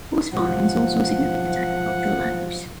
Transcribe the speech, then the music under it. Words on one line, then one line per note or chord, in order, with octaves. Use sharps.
Horse farming is also a significant agricultural land use.
B1 G#2 C3 F3 F#5